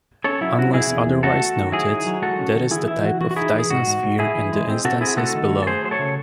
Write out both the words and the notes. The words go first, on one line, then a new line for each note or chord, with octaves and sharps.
Unless otherwise noted, that is the type of Dyson sphere in the instances below.
C#4 A4 C#5
F#3 E4
C#4 F#4
C3 E4 G#4
E2
E2
A3 F#4 A4
A3
D#3
F#3 E4 G#4
D#3
F#3
G#3 F#4 A4
C#4
D#3
E3 E4 G#4
E3 E4
E3 F#4
E3 F#4
F#4
D#4 E4 G#4
E3 G#4
G#2 F#4
G#2
G#2
A2 E4 G#4
E3
G#3
C4
C3 F#4 A4
C4 E4 G#4
A3 F#4 A4
D#3
A3
A4
A3 G#4 C5
F#3 C5
A4 C#5
C#3